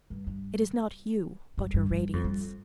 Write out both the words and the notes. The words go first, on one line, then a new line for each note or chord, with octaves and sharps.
It is not you, but your radiance.
G2
G2
G2
G2
G2
F2
G2